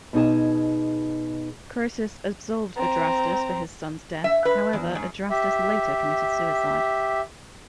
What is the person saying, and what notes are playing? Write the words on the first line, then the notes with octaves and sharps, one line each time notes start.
Croesus absolved Adrastus for his son's death; however, Adrastus later committed suicide.
B2 D#4 G#4 A5
C4 A#5
E5
B4
E2
G#2
G4 E5